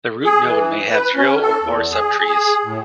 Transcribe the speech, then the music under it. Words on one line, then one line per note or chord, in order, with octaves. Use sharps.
The root node may have zero or more subtrees.
G#4
E3
B4
C#4
A4
E2
G#4
G#4
A2